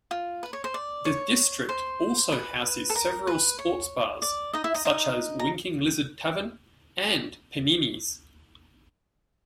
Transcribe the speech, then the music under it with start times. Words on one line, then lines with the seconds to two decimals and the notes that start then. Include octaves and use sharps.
The district also houses several sports bars such as Winking Lizard Tavern and Panini's.
0.11 F4
0.43 B4
0.53 C#5
0.64 C5
0.74 D5
1.05 C#5
1.69 C5
2.32 B4
2.90 A4
2.95 A#4
3.27 B4
3.59 C#5
4.22 D5
4.53 D#4 D#5
4.64 E4 E5
4.74 D#4 D#5
4.85 D#4 D#5
5.39 A#5